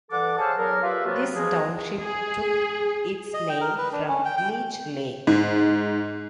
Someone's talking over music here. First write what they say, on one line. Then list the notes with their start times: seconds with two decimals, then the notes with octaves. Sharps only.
This township took its name from Leech Lake.
0.11 G2 E3 A4 F#5 A5 D6
0.38 G#4 C5 C#5 E5 F5 A5
0.57 E2 F#3 G#4 A#4
0.82 F4 G4 B4 D5 E5 F5
1.05 C3 F#3 A#3 B3 F4 F#4
1.35 C#3 E3 F3 G#3 D#4 G#4
1.99 G#4
3.34 D#5
3.49 G5
3.61 A#4
3.78 B4
3.92 D4
4.08 C#4
4.25 G5
4.37 G5
5.27 G#2